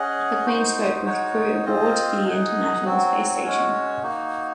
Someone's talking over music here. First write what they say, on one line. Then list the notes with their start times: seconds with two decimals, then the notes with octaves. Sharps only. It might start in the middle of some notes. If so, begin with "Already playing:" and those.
The queen spoke with crew aboard the International Space Station.
Already playing: C#4 G#4 D#5 F#5
0.46 D#4 F#4 C5
1.05 G#3 D#4 F#4 C#5
1.65 C4 F4 C5 D#5
2.24 D#4 G#4 D#5 F#5
2.84 F#3 C4 F#4
3.43 G#3 C#4 F#4 C#5
4.03 A#3 D#4 F#4